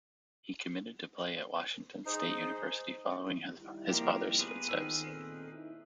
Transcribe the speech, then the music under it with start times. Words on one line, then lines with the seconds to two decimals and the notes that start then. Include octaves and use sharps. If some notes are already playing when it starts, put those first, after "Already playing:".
He committed to play at Washington State University, following his father's footsteps.
2.05 D#4 G#4 C5
3.60 D#3 G3 E4
3.89 F3 A#3 C4 G4 A#4
4.38 B3 F4 G#4 B4
4.69 D#3 E6
5.00 A#2 C4 A4
5.53 D#4 E4